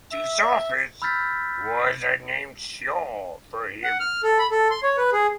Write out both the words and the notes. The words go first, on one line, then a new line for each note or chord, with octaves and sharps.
This office was name Shaw for him.
E5
B5 E6 F6 G6 A6 B6
F#5
F6
A4
B5
A4
C6
C#5
B4
G#4